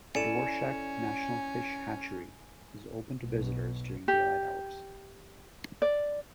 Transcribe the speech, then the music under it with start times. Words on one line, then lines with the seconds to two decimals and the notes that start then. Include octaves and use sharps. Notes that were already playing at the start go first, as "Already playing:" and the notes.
Dworshak National Fish Hatchery is open to visitors during daylight hours.
0.15 C#4 E4 A4 D5 G#5 C#7 E7
3.22 B1 B2
4.08 G4
5.82 D5